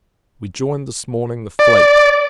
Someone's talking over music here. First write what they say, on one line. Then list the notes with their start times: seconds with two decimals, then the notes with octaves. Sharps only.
We joined, this morning, the fleet.
1.59 D5